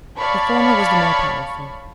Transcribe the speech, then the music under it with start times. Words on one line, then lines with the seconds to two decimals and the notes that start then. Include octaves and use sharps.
The former was the more powerful.
0.18 C#5 D5 F5 A5 B5 C#6